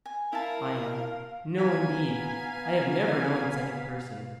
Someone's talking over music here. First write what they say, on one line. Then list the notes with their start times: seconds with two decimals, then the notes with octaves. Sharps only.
ION: No indeed, I have never known such a person.
0.06 G#5
0.33 E4 A#4 E5 F5 A5
1.58 B3 F5 G#5 A#5 F6 B6